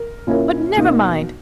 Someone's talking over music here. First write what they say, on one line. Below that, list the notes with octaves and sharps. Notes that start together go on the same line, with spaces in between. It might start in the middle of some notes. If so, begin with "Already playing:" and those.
But never mind.
Already playing: A#4
A#2 A#3 C#4 E4 A#4
B2 A#3 D#4 F#4